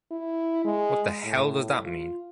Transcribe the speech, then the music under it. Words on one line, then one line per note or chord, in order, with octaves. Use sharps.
What the hell does that mean?
E4
G#3
A2
F4